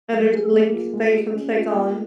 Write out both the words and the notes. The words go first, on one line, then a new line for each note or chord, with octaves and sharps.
and there's a link that you can click on
F#3
G#4
A#3
F4
G#3
G#4
C#4
F4
A#3